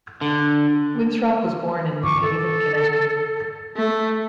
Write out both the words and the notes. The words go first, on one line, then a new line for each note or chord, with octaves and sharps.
Winthrop was born in New Haven, Connecticut.
D3
C#6 D6
A4
A3